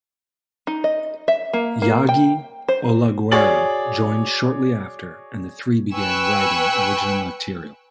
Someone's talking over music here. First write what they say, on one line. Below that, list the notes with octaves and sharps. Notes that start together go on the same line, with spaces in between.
Yagi Olaguera joined shortly after and the three began writing original material.
D#4
D#5
E5
A#3
A#3
G5
C5
F#4 G#4 C#5 D5 A6 F#7
B4 G5 G#5 C#6 E6 F#6